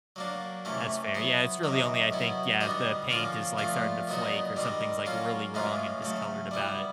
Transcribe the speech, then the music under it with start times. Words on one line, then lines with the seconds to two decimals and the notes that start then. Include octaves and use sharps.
That's fair. Yeah, it's really only, I think, yeah, if the paint is, like, starting to flake or something's, like, really wrong and discolored about it.
0.16 F#3 A#3 D4
0.65 C3 E3 A3 C#4
1.14 F#3 B3 E4
1.63 C3 D#3 F#3
2.12 B2 F#3 B3 E4
2.60 D3 G3 B3 D#4 F#4
3.09 D3 F3 A#3 C#4 F4
3.58 A#2 F3 A3 C4 F4
4.07 A#2 F#3 B3 D#4 F#4
4.56 D#3 G3 C4 D#4
5.06 F#3 A#3 C#4 F4
5.54 A2 E3 G#3 C#4 F4
6.02 C#3 F#3 A3
6.51 G3 B3 E4